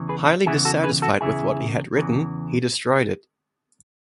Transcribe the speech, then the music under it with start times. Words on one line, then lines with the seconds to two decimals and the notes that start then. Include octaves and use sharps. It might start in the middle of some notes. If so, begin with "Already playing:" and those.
Highly dissatisfied with what he had written, he destroyed it.
Already playing: E2 C#3 E3
0.09 G#4 B4
0.46 E2 C#3 E3 E4 G#4
0.65 F#4 A4
0.84 G#4 B4
1.02 F#4 A4
1.21 E2 C#3 E3 E4 G#4
1.96 E2 C#3 E3